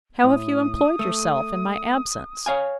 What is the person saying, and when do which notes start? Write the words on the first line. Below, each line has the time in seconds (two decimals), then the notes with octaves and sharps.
How have you employed yourself in my absence?
0.24 A2 D#6
0.99 A3
2.46 C#5 F5 G#5